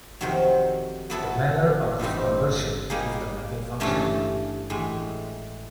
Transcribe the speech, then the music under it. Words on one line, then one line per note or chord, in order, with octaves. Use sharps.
The manner of this conversion is the mapping function.
F2 C3 D#3 F#3
F#3 B3 E4 A4
G2 E3 G3 C4 D#4
G3 A#3 D#4 G#4
G2 E3 A3 C#4
A2 E3 G#3